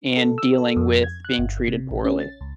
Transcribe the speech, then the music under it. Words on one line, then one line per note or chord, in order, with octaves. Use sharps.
in dealing with being treated poorly?
A4
E6
A4
F2
G#6
F#6
G1
C3
A#1
C#4
A6
C#2